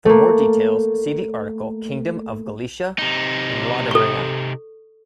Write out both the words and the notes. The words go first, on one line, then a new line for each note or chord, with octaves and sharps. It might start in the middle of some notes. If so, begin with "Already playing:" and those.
For more details, see the article Kingdom of Galicia and Lodomeria.
A3 A#3
C3 D#4
A4 C#6